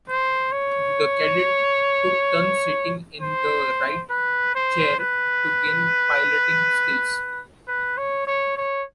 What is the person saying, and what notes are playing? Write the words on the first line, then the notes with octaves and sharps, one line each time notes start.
The cadets took turns sitting in the right chair to gain piloting skills.
C5
C#5
C5
B4
C5
B4
B4
C#5
C#5
C#5